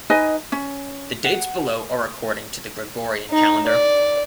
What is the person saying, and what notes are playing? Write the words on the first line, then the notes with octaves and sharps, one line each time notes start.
The dates below are according to the Gregorian calendar.
D#4 B4 D#5 G#5
C#4
F#5
D#4
D5